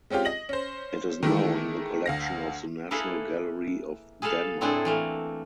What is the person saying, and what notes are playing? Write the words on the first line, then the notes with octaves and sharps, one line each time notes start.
It is now in the collection of the National Gallery of Denmark.
G#3 C4 C#4 F4 G4
D#5 A#6 F#7
C#4 C5
D#3 E3 G#3 A3 E4
D2 F5 A#6
A#3 E4 G#4 A4 B4
G#4 A4 B4 F5 A5
A2 C4 D4 E4 G#4 A4
E3 A3 A#3